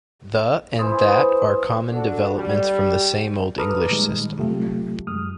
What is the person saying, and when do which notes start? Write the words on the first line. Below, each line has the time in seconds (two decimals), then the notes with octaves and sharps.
"The" and "that" are common developments from the same Old English system.
0.79 E3 E4 C5 D#6
1.90 D4 F#4 A4
2.36 G3
3.58 A4 B4 A#5 D6 D#6 F6
3.89 A#2 D#3 G3 G#3
4.39 C3 F#3 A3 F4 G4
5.07 F#2 G#3 D#6 F6